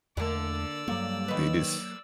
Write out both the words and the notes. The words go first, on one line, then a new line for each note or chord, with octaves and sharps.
did this.
E2 D3 A3 A#3 D5 E6
G2 F#3 A#3
D#3 B4